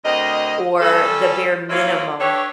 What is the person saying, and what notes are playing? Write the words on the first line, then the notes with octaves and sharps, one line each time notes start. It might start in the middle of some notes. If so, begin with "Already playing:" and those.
or the bare minimum.
D2 C4 A#4 D#5
G3 C#4 F4 A4
F#3 A#3 C4 C#4 E4 F4
D4 G4 A4 B4 C#5